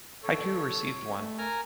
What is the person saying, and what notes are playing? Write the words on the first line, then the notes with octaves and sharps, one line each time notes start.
Haiku received one.
A4 C#5
A3
A#4 G#5 A#5